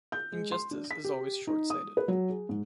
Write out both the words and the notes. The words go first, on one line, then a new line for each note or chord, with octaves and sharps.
Injustice is always short-sighted.
G6
G#3
C6
D4
B6
G4
D#4
D#6
B4
F#3
G#4
G#2